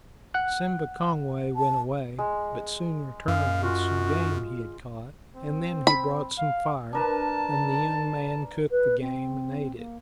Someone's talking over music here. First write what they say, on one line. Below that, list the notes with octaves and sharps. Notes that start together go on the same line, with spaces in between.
Simba Kongway went away, but soon returned with some game he had caught, and then he brought some fire, and the young man cooked the game and ate it.
F#5 F#6
A5
G#3
F#2 D#5 F5
F4 F#4
C4
B5
F5
D4 A#4 B4 A5
B4
C4
A#3